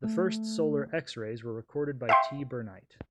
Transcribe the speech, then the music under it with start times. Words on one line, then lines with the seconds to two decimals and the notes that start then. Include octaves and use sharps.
The first solar X-rays were recorded by T. Burnight.
0.04 A3
2.09 E5 F5 G5 C6